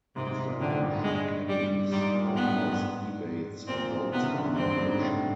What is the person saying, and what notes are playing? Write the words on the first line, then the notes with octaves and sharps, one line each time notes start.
If the motion carries, the House debates and votes on the motion.
G#2 C3
G#2
G#2
A#2
A2 D3
G#2
G2
G#2
G2 G#3
G3
G#2 G3
G#2
A#2
A2
G#2 B3
G2
G#2
G2
G#2
A#2 C4
G#2
C3 B3
C#3
D3
G#2
G2 C4
G#2
G2
G#2
A2